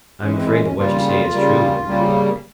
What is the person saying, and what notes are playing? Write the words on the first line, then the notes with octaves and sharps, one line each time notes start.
I am afraid that what you say is true, he replied.
E3 G#3 C#4
C4
E4
C#4
C#4
C#3 G3 A#3 F4
F4
C#3 G3 A#3
C#3 G3 A#3